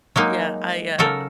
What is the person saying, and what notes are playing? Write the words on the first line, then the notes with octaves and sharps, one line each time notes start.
Yeah. I, uh,
F#3 G#3 A#3 D#4
C#3 F#3 A4 A#4